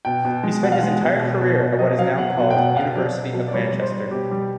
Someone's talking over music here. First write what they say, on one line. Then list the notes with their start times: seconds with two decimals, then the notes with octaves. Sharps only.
He spent his entire career at what is now called University of Manchester.
0.05 B2 G5
0.25 B2
0.43 G#3
0.63 B2 F#5
0.72 F5
0.79 G#3 F#5
1.02 B2
1.21 B2
1.41 B2
1.60 B2
1.79 F#3 D#5
1.98 F#3 F5
2.18 B2 F#5
2.37 B2 F#5
2.51 G5
2.57 B2 F#5
2.76 B2 F5
2.96 F#3 D5
3.15 B2
3.34 B2
3.48 D5
3.53 G3 C#5
3.73 G3
3.82 C5
3.92 G3
4.11 B2 G4
4.31 G3